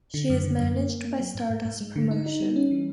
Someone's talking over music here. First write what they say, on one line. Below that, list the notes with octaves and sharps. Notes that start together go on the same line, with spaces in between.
She is managed by Stardust Promotion.
D3
F#2
D3
F#2
A#3
A#3
A#3
F#3
G#2
G#2
G#2
G#3
D3
D#4
D#4
G3
C#4
E3